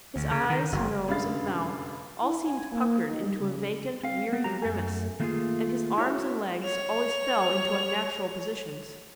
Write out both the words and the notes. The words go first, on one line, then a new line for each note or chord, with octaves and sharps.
His eyes, nose, and mouth all seemed puckered into a vacant, wearied grimace, and his arms and legs always fell into unnatural positions.
D2
C#3
D#3
F#1
F1 F#2 D3 F5 B5 A6
E4
G#5
A#3
D#4
G3
C#3
C4 F5
B3
F#3 G4 A#5
F#2 A3 G#5
D#3 A3 A#3 E4 F4 G#4
E4 F#4 C#5 E5
C#5 F7